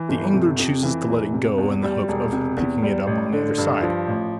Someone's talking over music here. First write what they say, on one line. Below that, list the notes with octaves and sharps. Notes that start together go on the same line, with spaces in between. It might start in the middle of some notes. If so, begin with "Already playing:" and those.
The angler chooses to let it go in the hope of picking it up on the other side.
Already playing: E3
G1
C3
F2
E3
E1
C3
E2
G3
E1
C3
E2
G3
A1
D3
G2
F3
A1